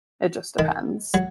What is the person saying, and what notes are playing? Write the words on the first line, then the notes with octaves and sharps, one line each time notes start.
it just depends.
D#3
F#3